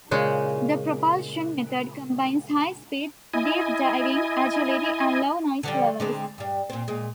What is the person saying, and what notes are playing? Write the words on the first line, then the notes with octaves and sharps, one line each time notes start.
The propulsion method combines high speed, deep diving, agility and low noise levels.
A#2 C#3 G#3
E4 D#5 G#5
D3 F3 G3
D3 G#3 C4
G2 G3
A#2 C4
A#2 G#3